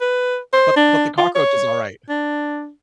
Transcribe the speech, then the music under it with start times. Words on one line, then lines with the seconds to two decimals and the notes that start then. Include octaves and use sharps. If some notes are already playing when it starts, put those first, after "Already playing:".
But but the cockroach is alright,
0.01 B4
0.53 C5
0.76 D4
1.18 F4
1.35 C#5
2.09 D4